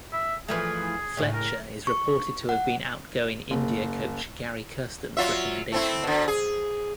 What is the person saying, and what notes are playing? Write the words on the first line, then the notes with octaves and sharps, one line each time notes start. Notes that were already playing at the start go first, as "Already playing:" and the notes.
Fletcher is reported to have been outgoing India coach Gary Kirsten's recommendation.
E5
E3 F3 A3 G#4
A2 C#3
A#4
C#6
F#5
F#1
F#3 F4 E5
A3 C4 E4
B2 D3
G#4